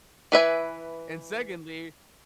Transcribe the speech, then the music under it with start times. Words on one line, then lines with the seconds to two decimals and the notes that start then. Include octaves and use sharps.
And secondly"
0.32 E3 B4 E5 G#5